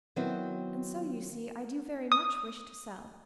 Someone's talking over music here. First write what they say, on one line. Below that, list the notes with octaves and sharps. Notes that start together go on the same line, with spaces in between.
"And so you see, I do very much wish to sell."
D#3 F#3 B3 C4 E4 F#4
D#6